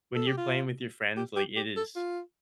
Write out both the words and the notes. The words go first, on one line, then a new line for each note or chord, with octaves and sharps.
when you're playing with your friends, like, it is
A4
G4
F4
G4
G4
G4
A4
F4